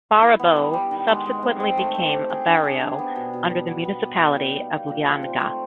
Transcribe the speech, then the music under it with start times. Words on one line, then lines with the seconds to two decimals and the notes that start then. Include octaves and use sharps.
Barobo subsequently became a barrio under the municipality of Lianga.
0.22 E4
0.39 B3
0.56 G3
0.73 G3
0.91 D#3
1.08 G#3
1.26 G#3
1.43 C4
1.60 C4
1.77 A3
1.95 C4
2.12 G4
2.30 G#4
2.46 D4
2.64 G#4
2.81 D4
2.99 B3
3.16 B2
3.33 B2
3.50 G3
3.67 B3
3.85 B3
4.02 B3
4.19 G4
4.36 D#4
4.54 A#3
4.71 A#3
4.89 A#2
5.06 F3
5.23 C4
5.40 A3